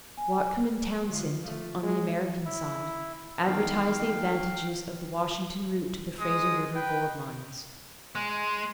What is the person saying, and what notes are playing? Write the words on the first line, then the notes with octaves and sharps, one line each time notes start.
Whatcom and Townsend, on the American side, advertised the advantages of the Washington route to the Fraser river gold-mines.
G#5
D2 F3
F3 A3
G#3
E4
E2 D#3 D#4 F5 G5
G#3 D#6
B4 G5
G#3